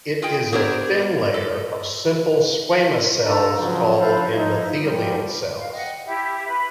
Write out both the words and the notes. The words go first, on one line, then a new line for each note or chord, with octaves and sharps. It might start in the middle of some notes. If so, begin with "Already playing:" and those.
It is a thin layer of simple squamous cells called endothelial cells.
F4 G#4 D#5 G5
B3 D4 G4 A#4 C5 C#5
A4
D4 D#4 A4 C5 A5 A#5
C#3 F3 F#3
G2 F3 A4 B4 C5 F5
F3 D#4 E4
G#2 F3 G3
F5
D#5 F#5 G5
E4 G4 E5
B4 B5